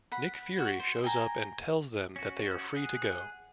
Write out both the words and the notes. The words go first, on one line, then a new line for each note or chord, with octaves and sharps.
Nick Fury shows up and tells them that they are free to go.
F#5 B5
F#4
C5
G5 G#5 A#5
C#4 F#4
G#4 F#5